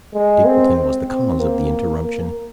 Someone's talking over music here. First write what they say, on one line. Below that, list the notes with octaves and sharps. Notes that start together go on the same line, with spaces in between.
Stapleton was the cause of the interruption.
G#3
C4
C4
A#3
A#3